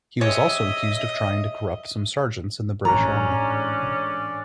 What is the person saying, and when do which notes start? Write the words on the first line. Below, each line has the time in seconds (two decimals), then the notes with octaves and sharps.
He was also accused of trying to corrupt some sergeants in the British Army.
0.21 G#3 G4 C#5 D#5 E5
2.85 A1 G#2 C#4 D4 D5 A#5